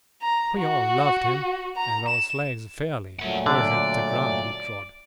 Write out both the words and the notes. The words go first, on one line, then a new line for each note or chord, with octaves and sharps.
We all loved him, and our slaves fairly worshipped the ground he trod.
A#5
F#4
A#5
E7
A#2 F#3 A3 A#4 F#5
D3 D5